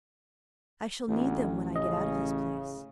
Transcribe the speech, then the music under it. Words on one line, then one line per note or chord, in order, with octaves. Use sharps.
I shall need them when I get out of this place.
A1 D2
C#3 D#5